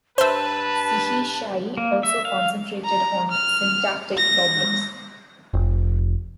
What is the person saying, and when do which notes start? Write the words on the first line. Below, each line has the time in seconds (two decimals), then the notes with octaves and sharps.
Sehechaye also concentrated on syntactic problems.
0.18 G2 B4 C5 E5 A5
1.77 A#3
2.03 E5
2.25 F5
2.85 A#5
3.31 F6
4.18 A#6
5.54 F1